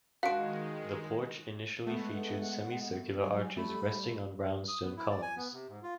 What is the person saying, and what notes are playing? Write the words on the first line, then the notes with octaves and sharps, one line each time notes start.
The porch initially featured semicircular arches resting on round stone columns.
D#3 F3 G#3 D4 F#4 F5 F#5 D7
G#3 A3 B3 F#5
F#3 G3 G#5
G3 A3 B5
D#6
B3
E4
D5
G#5
B3
C3
G#2
F4